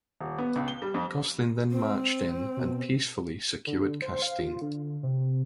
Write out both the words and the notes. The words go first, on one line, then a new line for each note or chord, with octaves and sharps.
Gosselin then marched in and peacefully secured Castine.
D#1
B3
C#2
G7
G3
F2
C4
B2
D3
C5
F5
F4
D3
C3